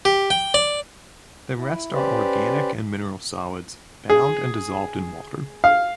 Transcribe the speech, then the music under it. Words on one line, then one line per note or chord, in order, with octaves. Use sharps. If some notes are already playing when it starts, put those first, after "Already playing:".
The rest are organic and mineral solids bound and dissolved in water.
G4
G5
D5
E4
C#4 G4 B4 C5 D5
G#4
F5